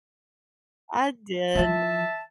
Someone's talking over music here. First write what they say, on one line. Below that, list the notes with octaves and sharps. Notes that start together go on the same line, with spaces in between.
I did.
E3 F3 E5 A5